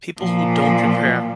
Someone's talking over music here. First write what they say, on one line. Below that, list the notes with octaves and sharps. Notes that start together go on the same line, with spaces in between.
people who don't prepare
A#2 F3